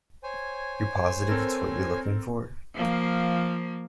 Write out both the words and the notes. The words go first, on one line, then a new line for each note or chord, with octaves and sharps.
You're positive it's what you're looking for?
C5 C#5 G#5
C4 A4 A#4
F3 A#3